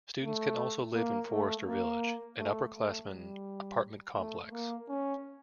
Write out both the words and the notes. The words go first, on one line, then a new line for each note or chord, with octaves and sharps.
Students can also live in Forester Village, an upper class-man apartment complex.
A3
A#3
A3
A#3
A3
A3
G3
A3
A#3
C#4